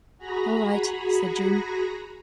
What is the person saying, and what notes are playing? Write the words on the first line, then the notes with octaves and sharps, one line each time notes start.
"All right," said June.
F#4 G#4 A#5 B5 A#6